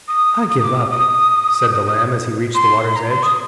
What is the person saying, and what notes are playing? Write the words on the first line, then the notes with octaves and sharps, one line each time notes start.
"I give up," said the lamb as he reached the water's edge.
D#6
D#6
D6
D#6
D#6
D#6
D#6
C6
A#5
C6
D#6